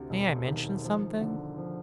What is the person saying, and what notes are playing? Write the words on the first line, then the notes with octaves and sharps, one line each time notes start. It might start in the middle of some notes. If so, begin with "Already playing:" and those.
May I mention something?'
Already playing: D2 C3
E1
D#3
F3
D3
F3